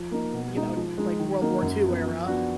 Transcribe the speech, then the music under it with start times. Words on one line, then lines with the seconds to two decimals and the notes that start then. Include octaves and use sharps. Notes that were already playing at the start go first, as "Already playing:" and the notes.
you know, like World War II era.
Already playing: F3
0.11 A#3 D#4
0.33 B2
0.55 G#3 D#4 G#4
0.76 F3
0.98 G#3 D#4
1.19 D#3
1.41 F#3 A#3 D#4
1.62 F#2
1.84 F3 B3
2.06 F3
2.26 B3 D4 F#4